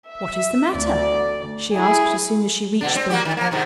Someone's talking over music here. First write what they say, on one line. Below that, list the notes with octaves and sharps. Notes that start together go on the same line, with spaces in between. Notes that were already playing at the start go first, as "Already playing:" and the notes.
"What is the matter?" she asked as soon as she reached them.
E5
D2 D5
E4 G#4
B2 D3 D4
C4
A#3 F#4 G4
D#3
F3 A#3
G#2 C3 D#3